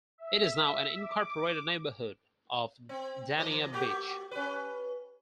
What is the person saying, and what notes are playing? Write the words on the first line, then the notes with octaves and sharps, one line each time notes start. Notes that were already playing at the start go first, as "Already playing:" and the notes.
It is now an incorporated neighborhood of Dania Beach.
E5
D6
C4
E3 D#5
A3 F#4 G4
C#4 B4